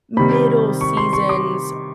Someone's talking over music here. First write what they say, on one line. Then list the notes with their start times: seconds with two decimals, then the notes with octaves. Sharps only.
middle seasons
0.17 C3 D#3 G3 B5
0.81 C#6
0.97 C6
1.13 C#6
1.29 D6